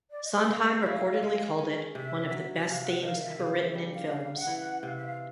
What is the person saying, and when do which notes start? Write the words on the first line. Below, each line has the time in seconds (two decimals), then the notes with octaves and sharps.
Sondheim reportedly called it "one of the best themes ever written in films".
0.10 D5
0.24 D#5
0.37 E5
0.50 G#3 F5
0.86 E4
1.23 G#3
1.59 C#4
1.95 C3 E5
2.31 F#3
2.67 C3 F5
2.84 F#5
3.03 D#3 F5
3.21 E5
3.38 C#3 F5
3.57 E5
3.75 G3
3.93 F5
4.11 C#3 F5
4.36 F#5
4.47 E3
4.59 F#5
4.83 C3 F5
4.95 E5
5.06 F5